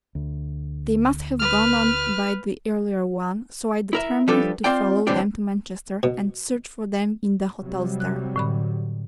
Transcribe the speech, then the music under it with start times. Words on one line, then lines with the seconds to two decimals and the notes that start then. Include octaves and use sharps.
They must have gone on by the earlier one, so I determined to follow them to Manchester and search for them in the hotels there.
0.15 D2
1.40 B4 F6
3.93 E4 A#4 E5
4.28 F3 G3 D4 G4 A4 B4
4.64 C4 F4 D5 G5
5.07 A2 D3 E3 C4 D4 G4
6.03 B2
7.61 C3 F#3 G3
8.00 F#6
8.36 A2 D3 B5